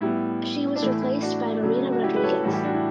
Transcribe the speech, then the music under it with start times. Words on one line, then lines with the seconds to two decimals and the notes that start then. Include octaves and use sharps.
She was replaced by Marina Rodriguez.
0.01 A2 G3 B3 E4
0.76 D4
0.82 A2 E3 A3 E4
1.02 E4
1.22 D4 F#4
1.63 C#3 F#3 A3
1.92 F#4
2.03 E4 G4
2.16 B4
2.23 A4 C#5
2.43 A2 E3 G3 F#4 A4
2.53 E4 G4
2.64 D4 F#4
2.74 E4